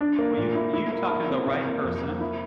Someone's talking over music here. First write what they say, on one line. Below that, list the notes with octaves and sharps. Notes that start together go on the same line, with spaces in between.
Well you you're talking to the right person,
D4
A#3
A#2
E4
E4
A#3
E4
C4
C3
A#3
F2
A#3
E4